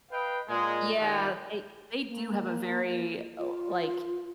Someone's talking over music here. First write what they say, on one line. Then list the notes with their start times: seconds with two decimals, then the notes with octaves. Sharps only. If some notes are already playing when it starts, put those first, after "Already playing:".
Yeah, they they do have a very, li like,
0.11 B4 D#5 F5 G5
0.48 A#2 G#3
0.98 A#2 D#3 F4 G4 F#5
2.07 A#3
3.38 F4